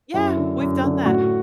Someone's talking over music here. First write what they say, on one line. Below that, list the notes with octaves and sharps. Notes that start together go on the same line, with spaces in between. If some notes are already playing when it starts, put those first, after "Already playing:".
Yeah, we've done that.
F#2 E4
D3
F#2
D3
A2 F#4